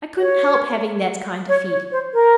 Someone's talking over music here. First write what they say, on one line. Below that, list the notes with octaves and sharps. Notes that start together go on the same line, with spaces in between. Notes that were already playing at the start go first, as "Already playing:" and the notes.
I couldn't help having that kind of feet.
C#5
C#5
C#5
C5
A#4